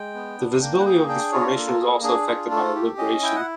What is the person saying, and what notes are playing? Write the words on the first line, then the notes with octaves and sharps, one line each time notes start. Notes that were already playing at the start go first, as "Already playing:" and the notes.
The visibility of this formation is also affected by libration.
Already playing: G#3 G5
B3
D4
A#3 G5
F#5
G#4 G5
D4 G5
F4 C#5
A#3 A4
G#4
D4 G#4
F4
A3 A4
G4
C#4 D#5
E4 G5
F#5